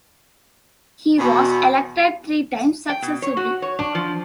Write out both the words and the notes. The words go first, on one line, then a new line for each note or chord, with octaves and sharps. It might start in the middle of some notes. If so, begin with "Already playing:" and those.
He was elected three times successively.
E2 B2
G5
B2
C#5
F#4
C#5
D4
F3